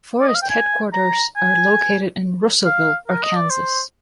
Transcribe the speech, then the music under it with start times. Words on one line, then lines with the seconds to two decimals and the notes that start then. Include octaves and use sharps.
Forest headquarters are located in Russellville, Arkansas.
0.21 D5
0.28 D#5
0.35 F5
0.42 G5
0.50 G#5
0.93 A#5
1.36 G#5
2.65 F5
3.08 A#4
3.23 D#5
3.36 D5
3.50 C5